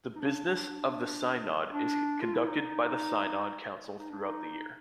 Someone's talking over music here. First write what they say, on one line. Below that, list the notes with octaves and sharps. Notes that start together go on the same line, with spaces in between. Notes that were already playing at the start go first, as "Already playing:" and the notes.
The business of the synod is conducted by the synod council throughout the year.
D#4
D4
D4
F4
E4
D#4
D#4
D4
D#4